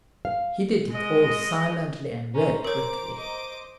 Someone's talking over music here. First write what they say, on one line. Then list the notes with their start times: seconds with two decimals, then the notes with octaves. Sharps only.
He did it all silently and very quickly.
0.25 F5
0.90 G#3 D#5
2.34 C#4 C5 A#5
2.64 A#4 C#5 D6
3.16 D#5 D6